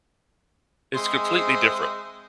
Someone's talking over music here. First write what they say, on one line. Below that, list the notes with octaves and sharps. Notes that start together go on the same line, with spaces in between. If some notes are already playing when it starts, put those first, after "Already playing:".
It's completely different,
G#3 C4 G#4 C5 D#5 E5